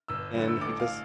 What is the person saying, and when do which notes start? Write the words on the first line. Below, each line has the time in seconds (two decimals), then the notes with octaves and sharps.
and he just
0.08 G1 E6
0.35 G2 D3 A3
0.48 E6
0.61 A1 D6
0.80 F5